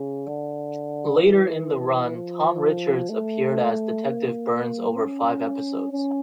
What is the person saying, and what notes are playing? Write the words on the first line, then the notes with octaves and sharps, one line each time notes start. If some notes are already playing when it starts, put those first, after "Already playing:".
Later in the run Tom Richards appeared as Detective Burns over five episodes.
Already playing: C#3
D3
E3
F3
A3
A#3
C#4
C#4